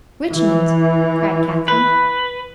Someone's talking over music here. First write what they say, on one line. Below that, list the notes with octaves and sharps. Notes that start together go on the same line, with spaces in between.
"Richmond!" cried Catherine.
E3
B4